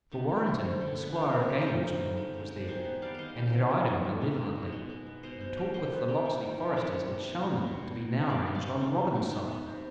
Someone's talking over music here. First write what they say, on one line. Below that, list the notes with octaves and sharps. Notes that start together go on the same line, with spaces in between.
For Warrenton, the Squire of Gamewell's man, was there, and had eyed him malevolently, and talk with the Locksley foresters had shown them to be now ranged on Robin's side.
D#3 B3
G3
C3
D3
D3
B3
D4
G3 C4
G3
G#4
G3 G4
F4
G3 C4 D#4
D3
D3
G#3
C3
G#3
D5
D#3 G#4 C5
B3
G3 D5 F5
D#3 C5 D#5 F5
D#3
D#3
D#3
B3
D#3
B3
B2
B2
G#3
G#3
B3
B2 C5 D#5
B2
G3
G3 C5 D#5
B3
G3
D#3
D#3
C3
G#3 B4 D5
D#3
G#3
B2
B3
B2
D#3
D#3
G3
B3 D5 F5
G3
D5 F5
G3
D#3
G#3
D#3
B3
B3
C3